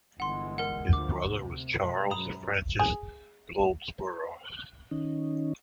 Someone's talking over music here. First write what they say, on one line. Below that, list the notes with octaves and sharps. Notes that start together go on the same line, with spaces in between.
His brother was Charles Frances Goldsborough.
G1 E3 G#3 F#5 C6
A#4 F#5
D2 F3 D6
C3
B2 G#3
F#2 A#5 B5 D#6
G#4
D#3 C#4 D#4